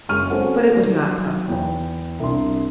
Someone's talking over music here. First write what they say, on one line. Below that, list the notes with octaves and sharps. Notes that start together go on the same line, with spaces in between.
But it was not possible.
F#1 F#2 G#3 C#6 F6 D#7
C4 C#4 F#4 A4 C5 F#5
D#3 F#3
E2 G5
C2 D4 C6